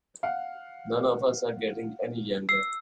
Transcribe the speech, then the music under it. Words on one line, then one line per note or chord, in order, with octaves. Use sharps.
None of us are getting any younger.
F5 F#5
E6 C7